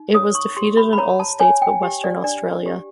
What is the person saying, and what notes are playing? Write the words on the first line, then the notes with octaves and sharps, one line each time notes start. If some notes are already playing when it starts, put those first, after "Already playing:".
It was defeated in all states but Western Australia.
Already playing: D#4
C#5 D#6
C#6
G4 C6
B5
B5
C#5 A#5
A5
C#5 G#5
G5
G4
D5
D4 D5
G4